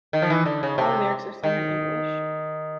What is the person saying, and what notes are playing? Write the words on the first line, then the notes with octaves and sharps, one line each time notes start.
All lyrics are sung in English.
D#3
F3
E3
D3
C#3
C3
D#3